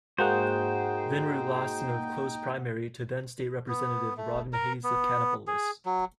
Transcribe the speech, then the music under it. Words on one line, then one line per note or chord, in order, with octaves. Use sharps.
Vinroot lost in a close primary to then-state representative Robin Hayes of Kannapolis.
G#2 A#3 D#4 F#4 G#4 C5 F#5 G5
B3
A3
A#4
B3
G#4
F#3